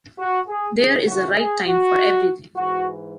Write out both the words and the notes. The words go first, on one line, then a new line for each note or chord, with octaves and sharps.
There is a right time for everything.
F#4
G#4
D#2 C#3 E3 G#4
F#4
G#4
F#4
G#2 E3 F#4